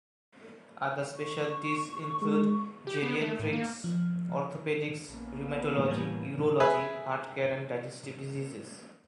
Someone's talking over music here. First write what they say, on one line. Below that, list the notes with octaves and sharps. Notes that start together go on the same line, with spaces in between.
Other specialties include geriatrics, orthopedics, rheumatology, urology, heart care and digestive diseases.
C#6
G#3
G4
B3
A3
A2
A#3
F3
A#1 A#3 B3 C#4
A2 E3 G3
G#4 B4 E5